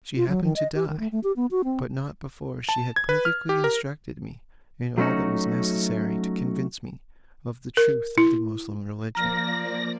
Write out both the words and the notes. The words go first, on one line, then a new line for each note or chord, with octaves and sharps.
She happened to die, but not before she had perfectly instructed me in all that was necessary to convince me of the truth of the Moosulmaun religion.
F4
F#3
D#3
D#5
G4
D#3
A3
A3
G4
B3
F#4
C4
A5
G#6
B4
F6
G4
A#4
F#3 A3 B3 C#4 D#4 F#4
A#4
E4
F3 A#3 D5 A#5 F6 A#6